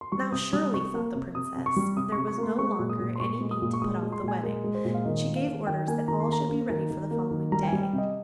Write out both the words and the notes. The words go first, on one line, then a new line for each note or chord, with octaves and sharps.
Now, surely, thought the princess, there was no longer any need to put off the wedding; and she gave orders that all should be ready for the following day.
C6
G3 C#6
C3 D#6
G3 D#6
C3 C#6
A#3
C3
C3 D#6
C3
C#6
G3
C3 D#6
C#6
C3
C#6
A#3
C6
G#3 C#6
A#2
D#6
A#2
C6
A#2 C#6
G#3
D#6
A#2
C#6
G#3 D#6
G#3
C6
A#2
G#5
G#3 A#4
G#3
C5
A#2
F5
D#3 D#5
A#3
F5
D#3
D#3 G5
A#3 G#5
D#3 A#5
C6
A#3 A#5
A#3
D#3
D#3
A#3
D#3
G3 A#5
G5
G#5
G3
G5
C3
D#5